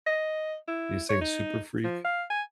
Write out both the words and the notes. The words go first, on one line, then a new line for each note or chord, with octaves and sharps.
they sing Super Freak,
D#5
E4
C#5
D#4
F3
F5
G#5